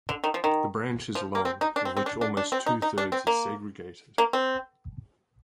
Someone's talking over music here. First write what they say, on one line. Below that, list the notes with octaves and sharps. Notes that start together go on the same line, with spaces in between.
The branch is long, of which almost two thirds is segregated.
D3
D#3
F3
D#3
F3
A#3
C4
D#4
D4
C4
C4
D4
D4
D4
C4
D#4
D#4
D4
C4
A#3
A#3
C4